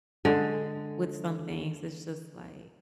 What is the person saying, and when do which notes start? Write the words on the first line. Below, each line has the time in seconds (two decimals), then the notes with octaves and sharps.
with some things, it's just like
0.25 D3 G#3